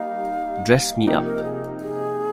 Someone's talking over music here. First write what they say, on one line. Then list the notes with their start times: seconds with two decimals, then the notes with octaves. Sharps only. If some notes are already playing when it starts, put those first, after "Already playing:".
Dress Me Up!
Already playing: G3 A#3 D#4 F5
1.06 C3 F3 A#3 D#4 G5
1.25 A#4
1.44 G#4
1.80 G#4